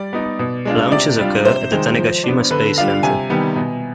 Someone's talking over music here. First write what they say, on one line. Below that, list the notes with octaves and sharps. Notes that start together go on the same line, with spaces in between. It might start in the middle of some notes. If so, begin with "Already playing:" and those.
Launches occur at the Tanegashima Space Center.
Already playing: G3 D5
B3 D#4
B2
G#3 D4 F4
C3 D5
G3 D4 F4
C3 C5
D#3 G#3
F3
B3 D4
D3 B4
G3 D4 F4 F5
C3 G#5
D#3 G3 B3
B2